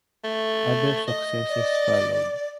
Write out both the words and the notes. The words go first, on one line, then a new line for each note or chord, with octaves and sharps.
Other successes followed.
A3
D#5
D5